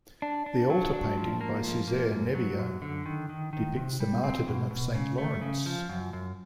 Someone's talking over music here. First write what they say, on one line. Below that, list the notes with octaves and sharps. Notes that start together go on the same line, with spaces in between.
The altar painting by Cesare Nebbia depicts the martyrdom of Saint Lawrence.
D4
D4
F#3
D4
F3
A#3
F3
A#3
F#2
F#3
F#2
D3
D#3
D#3
D#3
C3
G3
C4
B2
B2
C#3
A3
C#3
F3
F#2
F#2